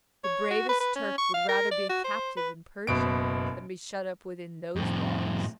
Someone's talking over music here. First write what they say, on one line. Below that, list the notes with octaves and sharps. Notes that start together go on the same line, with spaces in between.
The bravest Turk would rather be a captive in Persia than be shut up within those walls.
C#5
F#4
B4
B4
C#4
C#6
F5
A#4
D5
F#4
C5
B4
F#1 B2 D7
F2 A2